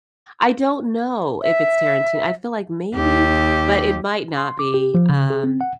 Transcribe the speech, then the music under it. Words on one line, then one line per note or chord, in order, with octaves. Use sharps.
I don't know if it's Tarantin I feel like maybe, but it might not be. Um,
E5
D#2 G4
C6
D6
G4
F3
C#3
G#4
C4
F#5